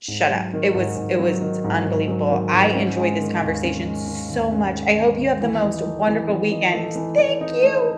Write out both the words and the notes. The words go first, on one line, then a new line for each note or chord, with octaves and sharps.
s shut up, it was, it was unbelievable. I enjoyed this conversation so much. I hope you have the most wonderful weekend. Thank you.
G#2
F#3
D#3
G#2
G#2
F#3
D#3
G#2
G#2
F#3
D#3
G#2
C#4
G#3
D#3
D#2
C#4
G#3
D#3
D#2
C#4
G#3
D#3
D#2
E3
D#4
A3
E3
E3
D#4
A3
E3
E3
D#4
A3